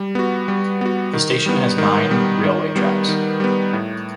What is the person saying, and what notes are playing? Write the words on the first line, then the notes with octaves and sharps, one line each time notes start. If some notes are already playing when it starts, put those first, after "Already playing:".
The station has nine railway tracks.
Already playing: G3
B3 F#4
G3
B3 F#4
D#3
G3 B3
D#3
G3 B3
D#3
G3 B3
D#3
G3 B3
A2